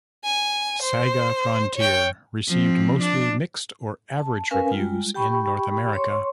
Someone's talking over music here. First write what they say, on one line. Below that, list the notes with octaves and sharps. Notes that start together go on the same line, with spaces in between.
"SaGa Frontier" received mostly mixed or average reviews in North America.
G#5
C5
C#5 G5
F3 C4
D4
A5
C#4 A#4 B4 F5 G#5
G3 G#3 F4
G4 G5 B5 C#6
C#5 C6 C#6